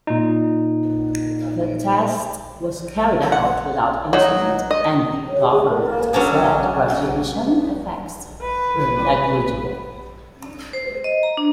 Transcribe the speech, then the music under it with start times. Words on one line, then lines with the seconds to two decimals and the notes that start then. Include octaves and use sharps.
The test was carried out without incident, and government said radiation effects were negligible.
0.07 A#2 D#4
3.32 F#5
4.13 F#3 D#4
4.71 D#5
6.13 F#3 C#4 D4 G#4
8.41 B4
10.73 C5
11.04 D#5
11.23 A#5
11.37 D4